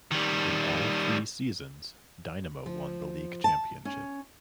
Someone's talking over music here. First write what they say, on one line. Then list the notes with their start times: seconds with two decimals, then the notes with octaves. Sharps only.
In all three seasons, Dynamo won the league championship.
0.11 D#3 G3
2.66 F3
3.44 A5
3.85 C#4